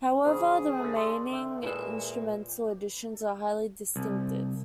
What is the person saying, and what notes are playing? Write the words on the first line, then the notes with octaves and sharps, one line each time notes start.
However the remaining instrumental additions are highly distinctive.
E2 C#3 D4 G#4 C5
D3 A3
A4 D5 D#5 C6
D3 E5 G5
A#2 G#3 A3 E4 B4 E7
C2